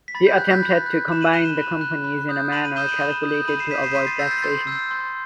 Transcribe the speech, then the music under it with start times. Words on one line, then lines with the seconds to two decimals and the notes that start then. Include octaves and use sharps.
He attempted to combine the companies in a manner calculated to avoid taxation.
0.08 B6
0.15 B5 A6
0.27 G6
0.38 F#6 A6
0.50 G6 B6
0.63 B5
0.86 F#6
1.09 B5 E7
1.21 D#7 F#7
1.33 F#6 E7 G7
1.45 E7 G7
1.57 B5
1.81 F#6
2.04 B5
2.29 D#6 G6
2.52 B5 D#7 F#7
2.64 D#7 F#7
2.76 D#6 G6 E7 G7
2.89 D#7 F#7
3.00 B5 E7 G7
3.23 D#6
3.29 G6
3.48 B5 D#7 F#7
3.59 C7 E7
3.71 D#6 G6 B6 D#7
3.83 C7 E7
3.95 C6 B6 D#7
4.07 A6 C7
4.19 E6 G6 A6 C7
4.31 A6 C7
4.42 C6 A6 C7
4.67 E6 G6
4.91 C6